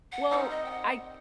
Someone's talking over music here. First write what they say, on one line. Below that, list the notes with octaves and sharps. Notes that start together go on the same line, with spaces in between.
Well, I
F#5
D#3 G3 C4 D#4 F#5
D#5
G5
F#5